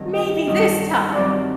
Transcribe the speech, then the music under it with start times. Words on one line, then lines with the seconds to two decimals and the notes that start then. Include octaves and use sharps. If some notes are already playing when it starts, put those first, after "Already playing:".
"Maybe this time."
Already playing: G2 D#3 F#3 C4
0.13 D#5
0.47 G2 D#3 F#3 C4 D#5
1.15 G2 D#3 F#3 C4 D5